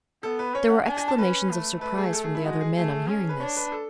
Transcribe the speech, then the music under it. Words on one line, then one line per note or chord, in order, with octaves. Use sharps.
There were exclamations of surprise from the other men on hearing this.
B3 A4
B4
C#4 C#5
F#5
D4 G#5
G#5
A5
C#4 B4
A3
A3 B4
G#4
A4
G#4
E4
G#3 F#4
G#4
A3 G#4
C#4
B4
D4 C#5
B4
A4